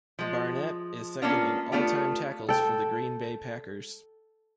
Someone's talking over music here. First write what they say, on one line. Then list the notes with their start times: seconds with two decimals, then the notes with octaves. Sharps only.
Barnett is second in all-time tackles for the Green Bay Packers.
0.19 F3 G#3
1.22 A#3 B3 C#4 D4 F4
1.72 A3 B3 D4 F4 G4
2.49 A4 G5